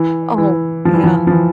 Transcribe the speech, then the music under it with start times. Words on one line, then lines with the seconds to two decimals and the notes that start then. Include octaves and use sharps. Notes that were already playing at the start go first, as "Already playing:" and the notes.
Oh, yeah.
Already playing: E3
0.38 E3
0.85 F3
0.94 E3
1.04 F3
1.27 F3
1.32 E3